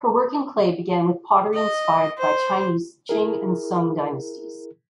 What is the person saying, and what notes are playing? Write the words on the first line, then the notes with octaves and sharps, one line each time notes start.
Her work in clay began with pottery inspired by Chinese Qing and Song dynasties.
D#5
C5
E4 G#4 A#4